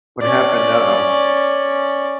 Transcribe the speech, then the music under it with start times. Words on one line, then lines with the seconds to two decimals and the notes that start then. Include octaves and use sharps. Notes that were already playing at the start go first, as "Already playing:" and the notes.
What happened? Uh-oh.
0.21 C#4 D5